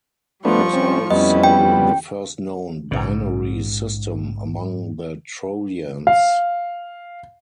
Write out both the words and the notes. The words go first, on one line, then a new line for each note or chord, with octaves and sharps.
It was also the first known binary system among the Trojans.
F3 G3 A3 B3 D4 C#6
C4 C#4
F2 G3 B3 C#4 E4 D#5
G5
A#1 G#2 C#3
F5